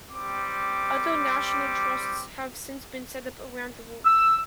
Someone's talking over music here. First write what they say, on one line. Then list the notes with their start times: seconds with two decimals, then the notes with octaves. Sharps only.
Other national trusts have since been set up around the world.
0.10 G3 C4 D6
4.06 E6